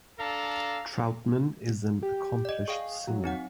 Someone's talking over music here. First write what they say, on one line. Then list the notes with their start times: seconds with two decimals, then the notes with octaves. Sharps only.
Troutman is an accomplished singer.
0.18 D4 A4 F5 A#5
2.03 G4
2.45 D5 D#5
2.68 G#4 F5 G5 C#6
3.07 F#3
3.24 C4 D#4 F#5